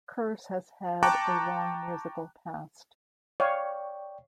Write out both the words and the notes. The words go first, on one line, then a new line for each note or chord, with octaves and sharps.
Curse has had a long musical past.
G5 A5 A#5 C#6 D6 F#6
C#5 D5 F5 G5 C#6